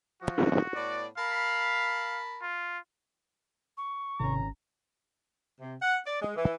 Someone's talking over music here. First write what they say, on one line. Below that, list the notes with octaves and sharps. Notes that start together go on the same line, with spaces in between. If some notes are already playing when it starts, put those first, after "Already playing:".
"I'll Be Stronger" was the first song Utada wrote.
F3 F#4
A2 B3 D5
A#4 F5 A5 B5
F4
C#6
G#1 C3 C#4 A#5
C3
F#5
D5
G#3
E3